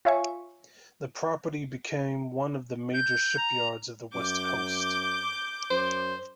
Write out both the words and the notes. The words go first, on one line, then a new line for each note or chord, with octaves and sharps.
The property became one of the major shipyards of the west coast.
F4 C#5 E5 F5 G#5 C#6
G6
A#5
F#2 D6 G6
F#2 C5